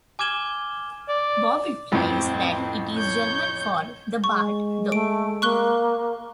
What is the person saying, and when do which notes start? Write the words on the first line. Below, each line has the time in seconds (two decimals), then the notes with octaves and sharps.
Bob replies that it is German for "The Bart, The".
0.19 G#5 D6 F6 G#6 E7 G7
1.09 D5
1.92 A1 F2 A2 C4
2.96 C#5 G6
4.24 G#3 C#6
4.92 A3 D7
5.42 A#3 C#6 F#6 G7